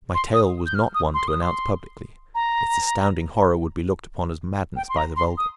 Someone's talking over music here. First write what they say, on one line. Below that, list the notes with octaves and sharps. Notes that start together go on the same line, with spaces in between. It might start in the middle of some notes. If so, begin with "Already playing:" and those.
My tale was not one to announce publicly; its astounding horror would be looked upon as madness by the vulgar.
C6
D#6
G6
F6
D#6
C6
D#6
C6
A#5
G5
C6
A#5
C6
D#6